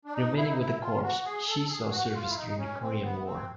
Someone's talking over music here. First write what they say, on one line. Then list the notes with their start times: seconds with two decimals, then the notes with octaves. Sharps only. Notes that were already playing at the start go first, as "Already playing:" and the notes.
Remaining with the Corps, she saw service during the Korean War.
0.05 D4
0.14 D#4
0.36 E4
0.50 D#4
0.59 E4
0.81 F4
1.03 F#4
1.25 G#4
1.47 A4
1.69 G#4
1.91 F#4
2.14 F4
2.28 E4
2.36 D#4
2.58 C#4
2.81 C4
3.03 B3
3.25 C4